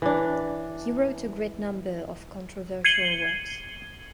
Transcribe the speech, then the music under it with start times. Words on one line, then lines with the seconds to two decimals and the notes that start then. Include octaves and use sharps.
He wrote a great number of controversial works.
0.02 E3 D4
2.85 G#6 C7 C#7 D#7 F#7 G7